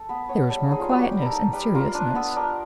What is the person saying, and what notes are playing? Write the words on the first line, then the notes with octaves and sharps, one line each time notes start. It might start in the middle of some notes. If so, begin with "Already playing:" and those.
There is more quietness and seriousness.
Already playing: A4
B3 B4
B3 C#5
G3 A4
D#4 G#4
F4
G3 F#4
G4
G3
A4 A#4
D#4
G3 B4
F4 A#4
D4 B4
B3 A4
D4 A#4